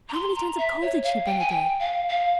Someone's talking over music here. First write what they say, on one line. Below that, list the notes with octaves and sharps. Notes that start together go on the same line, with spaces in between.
How many tons of coal did she burn a day?
A#5
C6
A#5
E5
C#5
F5
G5
G#5
G5
F5
F5